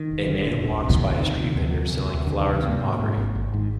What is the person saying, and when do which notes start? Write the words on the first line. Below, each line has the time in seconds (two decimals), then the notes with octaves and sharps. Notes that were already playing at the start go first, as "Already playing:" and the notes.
A man walks by a street vendor selling flowers and pottery.
Already playing: D#3
0.11 F1
0.28 D3
0.47 F1
0.65 D2
0.83 C3
1.00 D2
1.18 C3 D#3
1.36 C3
1.55 D2
1.73 D2
1.91 C3
2.09 D2
2.27 D2 D3
2.41 D#3
2.45 C3
2.55 D#3
2.63 C3 A#3
2.81 G#2
2.99 G#2
3.17 G#1
3.35 G#1
3.54 G#2